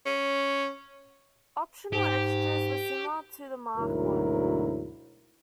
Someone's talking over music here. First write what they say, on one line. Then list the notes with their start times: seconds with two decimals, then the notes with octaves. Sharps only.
Optional extras were similar to the Mark One.
0.06 C#4
1.93 G#2 G4
3.77 D2 G#2 B2 F#3 E4 A#4